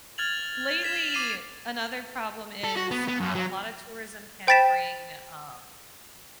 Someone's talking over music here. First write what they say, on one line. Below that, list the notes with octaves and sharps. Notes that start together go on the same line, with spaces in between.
Lately, another problem is, uh, a lot of tourism can bring, um
F6 G#6 A6 F7 F#7
G#6 B6 E7
D6 C7 D#7
A4
F#4
B3
B3
F#2
F#3
C5 G5 B5 A6 B6 E7